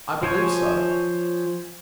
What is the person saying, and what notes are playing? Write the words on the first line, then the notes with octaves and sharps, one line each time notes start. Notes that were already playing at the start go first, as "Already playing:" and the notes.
"I believe so."
F3 C5 C#5 G#5